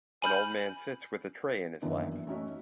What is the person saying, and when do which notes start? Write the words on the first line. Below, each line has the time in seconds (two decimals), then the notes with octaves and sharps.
An old man sits with a tray in his lap.
0.22 G#5 B5 F6 G6
1.82 F#2 D#3 E3 A#3 B3 D4
2.27 A3 C#4 D#4 F#4 C#5 E5